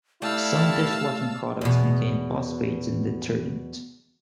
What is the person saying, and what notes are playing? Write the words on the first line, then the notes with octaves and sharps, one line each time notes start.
Some dishwashing products contain phosphates in detergent.
G3 A3 E4 F5 A5 E6
E2 B2